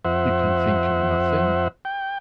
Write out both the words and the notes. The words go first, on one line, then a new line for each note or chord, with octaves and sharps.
You can think of nothing?
F2 C5 E5 F#5
G5